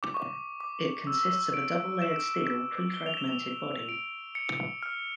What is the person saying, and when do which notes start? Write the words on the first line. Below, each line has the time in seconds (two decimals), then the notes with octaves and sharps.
It consists of a double layered steel pre-fragmented body.
0.03 D6
0.14 C#6
0.61 D6
1.07 E6
1.54 D7
2.02 E7
2.94 G7
3.06 F7
3.17 E7
3.27 F7
3.89 D7
4.35 C#7
4.83 F6